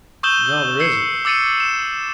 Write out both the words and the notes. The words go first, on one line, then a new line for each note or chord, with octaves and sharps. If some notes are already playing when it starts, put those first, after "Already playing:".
"No, there isn't."
C#6 D#6 E6 G6 E7 G7
E6 C7 C#7
D6 E6 A6 C#7 D#7
E7